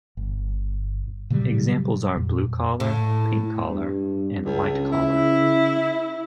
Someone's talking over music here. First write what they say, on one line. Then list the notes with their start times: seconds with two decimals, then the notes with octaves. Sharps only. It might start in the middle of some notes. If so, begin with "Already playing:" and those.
Examples are "blue-collar", "pink-collar" and "white-collar".
0.17 G1
1.30 A#2 C#3 F#3 G3
2.17 F2 A#2
2.80 A2
3.69 G2
4.46 C#2 C#3
4.92 E4